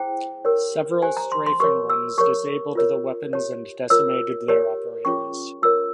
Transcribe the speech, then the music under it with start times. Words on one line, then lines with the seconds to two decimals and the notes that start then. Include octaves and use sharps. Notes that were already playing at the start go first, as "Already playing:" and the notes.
Several strafing runs disabled the weapons and decimated their operators.
Already playing: E4 G#4 C5 G5
0.45 G4 A#4 C#5
1.02 G4 C5 G#5
1.17 A#5
1.32 C6
1.46 C6
1.60 G4 A#4 C#5 C#6
1.90 E6
2.18 G4 A#4 C#5 C#6
2.75 F4 A#4 C#5
3.33 G4 C#5
3.90 F4 A#4 C#5 E6
4.48 G4 A#4 C#5
5.05 C#4 F4 G#4 C#5 C#6
5.62 F4 A#4 C#5 E6